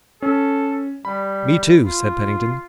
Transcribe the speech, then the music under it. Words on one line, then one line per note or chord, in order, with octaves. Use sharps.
"Me, too," said Pennington.
C#4 A4
G3 B5
F4